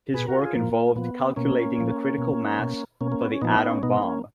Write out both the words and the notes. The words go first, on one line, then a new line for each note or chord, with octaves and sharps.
His work involved calculating the critical mass for the atom bomb.
B2 G#4 B4
F#4 A#4
F4 G#4
A#2 F3 A#3
A#2 F3 B3
B2 A#3 C#4
A#2 F3
B2
B2
B2 A#3 C#4
A#3
B3
C#4
A#2 F3 B3 D#4
C#4
B2 B3 D#4
D#4
A#3 C#4